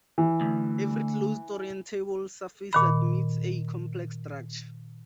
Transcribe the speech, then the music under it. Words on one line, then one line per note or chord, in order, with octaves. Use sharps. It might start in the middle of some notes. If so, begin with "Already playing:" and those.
Every closed orientable surface admits a complex structure.
E3
D2
A#2 D#3 B5